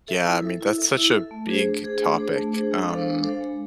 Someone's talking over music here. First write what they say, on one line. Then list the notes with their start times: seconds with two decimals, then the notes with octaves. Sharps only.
Yeah. I mean, that's such a big topic, um
0.08 A4 E5
0.25 E4
0.42 A4 E5
0.61 E4
0.78 A4 E5
0.95 E4
1.13 A4 E5
1.31 A3
1.48 D4 G#4 C5
1.66 A3
1.83 D4 G#4 C5
2.01 A3
2.19 D4 G#4 C5
2.36 A3
2.53 D4 G#4 C5
2.71 G#3
2.88 D4 A4 C5 F5
3.06 G#3
3.23 D4 A4 C5 F5
3.41 G#3